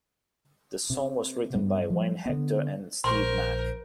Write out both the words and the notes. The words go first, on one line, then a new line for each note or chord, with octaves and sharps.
The song was written by Wayne Hector and Steve Mac.
C3
G2 G3 B3
F3 G3
D3 B3
A#1 A#4 C5 C6 C#6